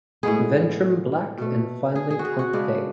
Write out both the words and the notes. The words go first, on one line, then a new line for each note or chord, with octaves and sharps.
Ventrum black and finely punctate.
A2 G#3 B3 G#4
B2 A3
G#4
G#4
F#4
G#4
F#4
C#3 G#3 B3 D4